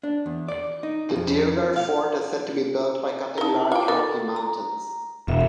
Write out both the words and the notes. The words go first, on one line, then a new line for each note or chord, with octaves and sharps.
The Deogarh fort is said to be built by cutting large rocky mountains.
D4
E2
D5
D#4
F2
F5
D#4 E4 A#4 A5
F4 G5 D6
D#3 A4
A#5
E1 E5